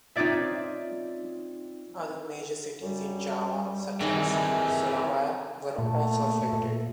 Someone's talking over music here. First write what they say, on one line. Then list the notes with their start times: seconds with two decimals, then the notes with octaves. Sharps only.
Other major cities in Java, such as Surabaya, were also affected.
0.16 C4 D#4 F4 C#5 D5 E5
2.82 F#2 G3
4.01 C3 D#3 E3 G#4
5.78 A#2 A3
6.53 A#2